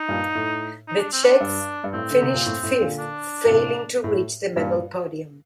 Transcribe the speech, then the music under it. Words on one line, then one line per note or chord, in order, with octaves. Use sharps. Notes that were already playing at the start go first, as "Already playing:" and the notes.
The Czechs finished fifth, failing to reach the medal podium.
Already playing: D#4
G2 A#2
A2
D#4
D4
C4
D4
G2
G2
A2 C4
D3
C3
A#2
A2
A2
A#2 D3
D4
A#2
A2 C3
A2
G2 A#2